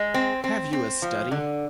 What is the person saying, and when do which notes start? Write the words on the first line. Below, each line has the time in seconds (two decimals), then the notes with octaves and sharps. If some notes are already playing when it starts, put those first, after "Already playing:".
Have you a study?
Already playing: G#3
0.14 C4
0.44 C4
0.73 C4
1.02 F3
1.32 D3